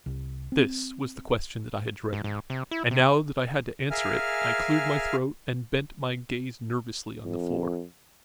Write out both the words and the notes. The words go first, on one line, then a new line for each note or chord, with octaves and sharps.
This was the question that I had dreaded, and now that I had to answer it I cleared my throat and bent my gaze nervously on the floor.
C2
C4
G#2
G#2
C3
E4
C3
G#4 A#4 E5 F5 G#5 F6
F2